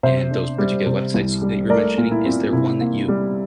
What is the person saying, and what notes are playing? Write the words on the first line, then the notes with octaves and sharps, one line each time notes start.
and those particular websites that you were mentioning. Is there one that you
C3 C5 E5
D4
G3
C3
C2
G3
A3 A#4 D5
A#2
E4
C4
C3 E4
A#3
G3